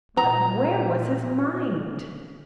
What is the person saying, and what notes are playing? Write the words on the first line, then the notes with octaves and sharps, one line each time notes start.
But where was his mind?
A#2 A#5